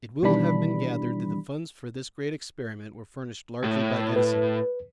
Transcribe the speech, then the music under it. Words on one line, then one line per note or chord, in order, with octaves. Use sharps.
It will have been gathered that the funds for this great experiment were furnished largely by Edison.
B2 D#3 E3 G3 D4 B5
A2
B4